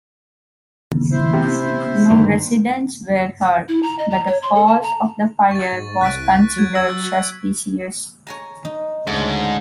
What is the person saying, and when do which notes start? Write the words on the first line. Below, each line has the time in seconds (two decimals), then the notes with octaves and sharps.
No residents were hurt, but the cause of the fire was considered suspicious.
1.12 E4 C5
1.33 C3
2.10 G2 D3 D#3
3.68 E4
3.83 A#5
3.99 D#5
4.10 A#5
4.27 C#5
4.42 C6
4.55 A4
4.67 A5
4.83 A#5
5.51 C#6 A6
5.72 G#2
6.01 C2 F#6 B6 D7
6.56 F#3 G#6 A6
6.75 E6
8.27 C#5 G#5 A#5
8.65 D#4
9.07 D2 G#2 C#3 A3